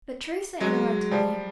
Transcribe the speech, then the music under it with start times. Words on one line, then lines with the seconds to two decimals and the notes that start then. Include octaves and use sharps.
But Teresa interrupted me.
0.60 F#3 G#3
1.11 F3 G3